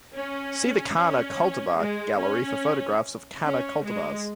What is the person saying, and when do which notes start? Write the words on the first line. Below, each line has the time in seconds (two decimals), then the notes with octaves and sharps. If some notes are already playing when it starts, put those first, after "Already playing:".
See the "Canna" cultivar gallery for photographs of "Canna" cultivars.
0.15 C#4
0.96 C#4
1.77 G#3
2.19 C#4
3.42 C#4
3.83 G#3